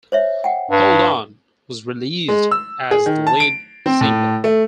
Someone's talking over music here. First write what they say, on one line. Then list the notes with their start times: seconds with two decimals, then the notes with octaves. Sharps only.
"Hold On" was released as the lead single.
0.12 C5 C#5 E5
0.44 F#5 G5
0.71 G2
2.28 G#3
2.51 E6
2.91 G#4
3.06 D#3
3.27 A5
3.40 D7
3.86 C4
4.01 A2
4.44 A3